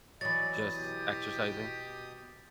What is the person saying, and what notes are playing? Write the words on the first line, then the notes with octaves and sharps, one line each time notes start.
just exercising.
E3 F#3 D5 D#5 A6
B2 G4 D#6